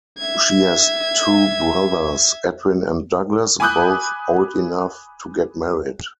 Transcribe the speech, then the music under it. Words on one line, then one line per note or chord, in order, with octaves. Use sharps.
She has two brothers, Edwin and Douglas, both old enough to get married.
E5 G#6
G#5 B5 D6 D#6 F#6 G6